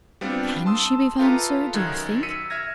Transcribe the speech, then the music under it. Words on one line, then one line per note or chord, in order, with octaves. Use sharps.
"Can she be found, sir, do you think?"
G3 B3 C4 D4 F4
A5 C6 D#6 E6
F4 G4 A4 B4 E5 A#5
F#2 D#3 F#6 G#6
E6 B6 C#7 D#7
E5 F6 G#6 A#6